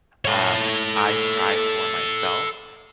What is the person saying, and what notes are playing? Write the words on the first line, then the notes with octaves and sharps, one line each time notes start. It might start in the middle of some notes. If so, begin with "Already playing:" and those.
um, I strive for myself.
A4 C#5